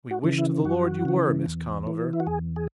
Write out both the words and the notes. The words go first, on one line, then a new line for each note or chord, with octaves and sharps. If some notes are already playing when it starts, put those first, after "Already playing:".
But we wish to the Lord you were, Miss Conover.
F#4
C#3 E3
E4
F#2 F#4
C#3 E3
E2
E3
E4
F#4
E2 G#4
G#4